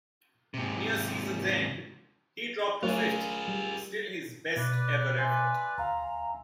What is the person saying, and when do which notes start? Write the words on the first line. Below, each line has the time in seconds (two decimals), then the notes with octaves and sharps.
Near season's end, he dropped to fifth, still his best ever effort.
0.54 G#2 C3
2.83 F#3 A3 F4 G#4 A#4 D5
3.48 G3
4.56 B2 B4 D5
5.18 E5 G#5 C6
5.78 D2 F5 A#5